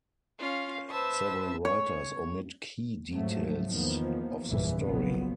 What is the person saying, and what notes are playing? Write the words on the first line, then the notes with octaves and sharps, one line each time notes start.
Several writers omit key details of the story.
C#4 F4 F5
B4 C5 E5 A5 E6
C#5
G#2 F3 F#3 A3
E2 D#3 F3 A#3 B3
F#1 E2 G2 A#2 D#3 E3
F#1 B1 A#2 F3 F#3 B3